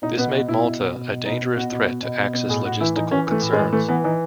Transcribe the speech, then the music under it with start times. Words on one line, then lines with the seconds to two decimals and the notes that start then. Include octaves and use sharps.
This made Malta a dangerous threat to Axis logistical concerns.
0.02 B2 D#4
0.18 B2 B3
0.33 B2 F#4
0.48 B2 E4
0.64 B2
0.80 B2
0.96 B2
1.11 B2
1.25 B2 D#4
1.42 B2
1.57 B2 F#4
1.72 B2 F#4
1.88 B2
2.03 B2
2.19 B2
2.34 B2
2.49 A2 G#4
2.65 A2 F#4
2.80 E3 E4
2.96 E3 D#4
3.11 E3 C#4
3.27 E3 A3
3.42 A2
3.53 G#3
3.58 E3
3.73 E3 A3
3.88 E3 B3
4.04 E3 D#4